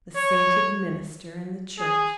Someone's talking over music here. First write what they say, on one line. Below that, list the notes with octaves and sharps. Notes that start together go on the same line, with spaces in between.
The sainted minister in the church!
C#5
G#4